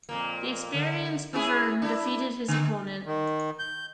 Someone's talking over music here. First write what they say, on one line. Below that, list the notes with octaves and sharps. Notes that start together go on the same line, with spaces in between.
The experienced Bevern defeated his opponent.
F2 A#2 A#3
D3
C#4 E4 G#4
D4 E4
D3
D#3
G6